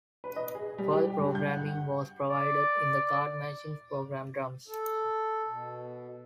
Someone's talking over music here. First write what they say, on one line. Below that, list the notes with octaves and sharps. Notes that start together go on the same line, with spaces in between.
Further programming was provided in the card machines program drums.
B4
D#5
G#4
G3
G4
G2
G6
F#5
D5
A4
B2